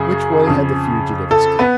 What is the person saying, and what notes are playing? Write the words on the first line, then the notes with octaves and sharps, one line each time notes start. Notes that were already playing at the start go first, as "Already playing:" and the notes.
Which way had the fugitive escaped?
Already playing: F#2 C#3 G#4
F2 C#3
A4
B3 B4